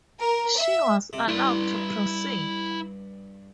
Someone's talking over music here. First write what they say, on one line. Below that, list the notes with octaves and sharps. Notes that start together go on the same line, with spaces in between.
She was allowed to proceed.
A#4
E5
C3
G2 E4 C6